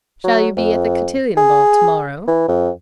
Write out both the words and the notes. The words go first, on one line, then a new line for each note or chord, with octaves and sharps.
"Shall you be at the cotillion ball tomorrow?"
F#3
F2
G#4
E3
F2